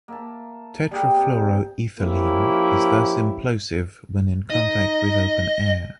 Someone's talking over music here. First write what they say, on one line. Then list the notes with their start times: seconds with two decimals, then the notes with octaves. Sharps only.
Tetrafluoroethylene is thus implosive when in contact with open air.
0.08 A#3 E5 A5
0.91 G3 A#3 G4 G#4
1.16 C3
2.00 F3 A#3 C#4 E4 G4
4.50 D#4 D#5